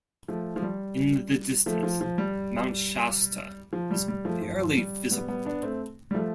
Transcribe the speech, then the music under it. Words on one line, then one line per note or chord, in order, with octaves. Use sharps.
In the distance, Mount Shasta is barely visible.
F3 A3
F3
G3
F3 A3
F3
F3
G3
F3
G3
G3
F3 A3
F3
G3
G3 B3
G3 B3
B3 D4
A3 C4
G3
F3 A3